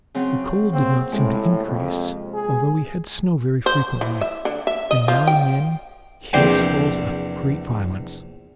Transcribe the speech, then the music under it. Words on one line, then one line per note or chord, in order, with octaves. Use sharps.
The cold did not seem to increase, although we had snow very frequently, and now and then hail squalls of great violence.
C#3 F#3 C4
A#3 C4
A2 C3 G#3
F2
G#4
C5
E3
E5
D3
E5
D#5
F3
G5
A#1 E2 C3 C5 D5 G5